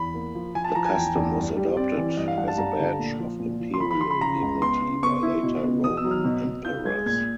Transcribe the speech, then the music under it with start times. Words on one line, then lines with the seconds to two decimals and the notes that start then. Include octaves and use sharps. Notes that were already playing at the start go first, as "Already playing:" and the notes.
The custom was adopted as a badge of imperial dignity by later Roman emperors.
Already playing: E2 B5
0.14 A#3
0.35 F3
0.55 F3 G#5
0.64 A5
0.75 F3 A#5
0.85 G#5
0.95 E2 G5
1.16 E2
1.36 G2
1.56 G3
1.77 C4 D5
1.97 E3
2.17 G2 D#5
2.28 F5
2.38 G2 F#5
2.48 A5
2.58 G2 A#5
2.79 D3
2.99 A#2
3.19 F3
3.39 A#2
3.60 F3
3.74 C6
3.80 F3 B5
3.91 B5
4.01 F3 C6
4.11 B5
4.21 C#3 A#5
4.42 C#2
4.62 B3 C6
4.82 C#3
5.03 B3 C#6
5.23 E4
5.43 B2
5.64 B3
5.84 B2 D#6
5.97 E6
6.04 F#3
6.11 F6
6.25 B2
6.45 B2
6.65 F4 G6
6.85 G#3 G#6
7.06 A#2 G#6